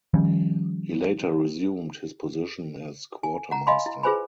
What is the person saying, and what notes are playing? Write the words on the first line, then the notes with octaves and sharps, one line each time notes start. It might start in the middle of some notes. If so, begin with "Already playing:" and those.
He later resumed his position as quartermaster.
D#3 F3 G3 C#4
G#5
F#5 A#5
D#5 F5 G#5 B5 C6
E4
F4 G#4 B4 C5 G#5 B5